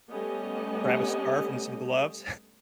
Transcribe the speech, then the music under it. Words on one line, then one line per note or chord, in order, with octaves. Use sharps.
Grab a scarf and some gloves.
G3 A3 B3 C#4 G4 D#5